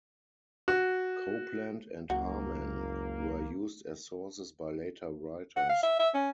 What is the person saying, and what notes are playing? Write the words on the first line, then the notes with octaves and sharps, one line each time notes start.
Copland and Harman were used as sources by later writers.
F#4
F#1 C#2 A#3 F#4
F#5
F5
E5
E5
C#4